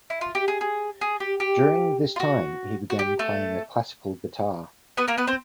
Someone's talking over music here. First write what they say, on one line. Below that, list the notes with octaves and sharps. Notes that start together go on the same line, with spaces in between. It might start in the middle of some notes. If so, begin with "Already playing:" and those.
During this time he began playing a classical guitar.
E4
F4
G4
G#4
G#4
G#4
G4
G4
F4
F#4
F#4
G4
A3 A4
B3 B4
A#3 A#4
B3 B4
C4 C5